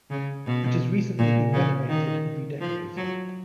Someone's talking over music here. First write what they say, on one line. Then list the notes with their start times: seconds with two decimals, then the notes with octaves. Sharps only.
It has recently been renovated and redecorated.
0.11 C#3
0.46 B2
1.19 A#2
1.53 C#3
1.89 D#3
2.61 F3
2.97 F#3